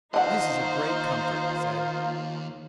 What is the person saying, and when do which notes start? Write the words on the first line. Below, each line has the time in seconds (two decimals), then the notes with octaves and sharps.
"This is a great comfort," he said.
0.14 D#2 D#3 D4 D#4 F4 C5 D#5 F#5